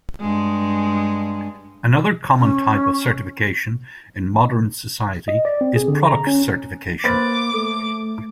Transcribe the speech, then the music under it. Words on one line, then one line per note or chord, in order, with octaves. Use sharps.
Another common type of certification in modern society is product certification.
G2 G#3
C#4
D#5
D5
C4
G#4
D3
A#5
C#4
A#3 B4 C5 B5 C6 D6 A6
A3 A4